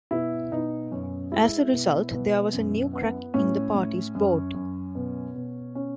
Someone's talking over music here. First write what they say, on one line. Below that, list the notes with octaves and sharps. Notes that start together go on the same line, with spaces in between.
As a result, there was a new crack in the party's board.
B2 E4
B2 D#4
F#2 C#4
G#3 E4
B2
B2
F#2
B3
A2 C#4
A2
F#2
F#2
B2
B2
C#4